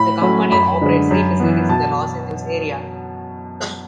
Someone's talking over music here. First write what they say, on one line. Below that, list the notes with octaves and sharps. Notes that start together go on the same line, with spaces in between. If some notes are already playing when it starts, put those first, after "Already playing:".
The company operates three facilities in the Los Angeles area.
Already playing: A2 B5
F#3 A3 C#4
F#2 B5
D3 G#3
F#2
E3 B3
B2 A5